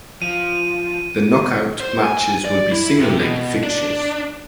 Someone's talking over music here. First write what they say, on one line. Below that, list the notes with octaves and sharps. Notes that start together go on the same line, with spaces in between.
The knockout matches will be single leg fixtures.
F3 D#7
C5
G#5
D5
E4
C3
B2
D4